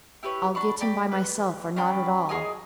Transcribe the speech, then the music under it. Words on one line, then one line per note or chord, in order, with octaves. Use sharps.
I'll get him by myself or not at all.
E4 G4 B4 C#5
D4 B5 C#6
D5 G5 B5
B4
C#4 D4 G5 B5
G#4 A#4 D#5 G#5